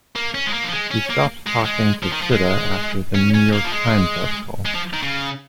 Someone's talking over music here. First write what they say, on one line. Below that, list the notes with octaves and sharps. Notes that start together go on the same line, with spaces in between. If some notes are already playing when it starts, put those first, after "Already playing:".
He stops talking to Sidda after the New York Times article.
A#3
C#4
G#3
A#3
F3
G#3
C#4
A#3
G#3
G#3
F3
D#3
F3
G#3
C#4
C#4
A#3
F3
G#3
G#3
F3
D#3
C#3